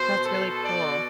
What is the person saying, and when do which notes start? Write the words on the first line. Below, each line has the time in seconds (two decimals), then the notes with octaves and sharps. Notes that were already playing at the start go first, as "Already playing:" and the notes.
That's really cool.
Already playing: B2 C5
0.25 A4
0.64 D5